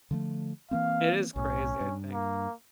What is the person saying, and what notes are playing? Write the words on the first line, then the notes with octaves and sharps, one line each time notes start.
It is crazy, I think,
D3 F3 A3
E3 A#3 C4 F5
B1 A2 C#4
G2
A#3